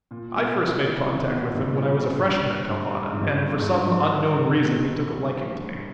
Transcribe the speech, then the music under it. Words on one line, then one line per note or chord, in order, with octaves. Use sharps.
I first made contact with him when I was a freshman at Calvada, and for some unknown reason he took a liking to me.
A#2
B2
E3
E3
D#3
B2
A#2
G2
B2
A#2
G2
G2
G2
G#2
E2
G2
G2
E2
G#2
G2